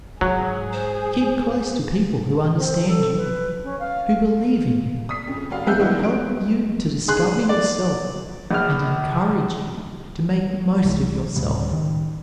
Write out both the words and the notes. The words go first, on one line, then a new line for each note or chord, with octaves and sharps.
Keep close to people who understand you, who believe in you, who will help you to discover yourself and encourage you to make the most of yourself.
G#2 F#3 G#4
C5
C4
A4
B4
C#4
F5
D#6 B6
F2 C#3
F1 F#4 F5
F2 B3 G#4 E5 F#6 G6
D#3 G#3 B3 E4
C#3 F#3 D7
G#4 C6 F#6
D5
A#1 F6
C2 E3 F3 G#3
D2 A2 C#3 G3
D#3